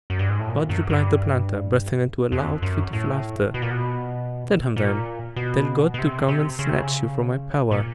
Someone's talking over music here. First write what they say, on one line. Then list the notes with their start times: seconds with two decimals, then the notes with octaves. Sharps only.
'God?' replied the planter, bursting into a loud fit of laughter, 'tell him, then,--tell God to come and snatch you from my power!
0.10 F#2
0.19 G2
0.29 G#2
0.39 A2
0.49 A#2
0.69 F#2
0.90 G2
2.32 F2
2.62 F#2
2.93 A2
3.54 B2
3.62 A#2
3.71 B2
4.76 A#2
5.36 B2
5.94 B2
5.99 C3
6.28 C3
6.59 C#3
6.69 C3
6.78 C#3
7.71 A#2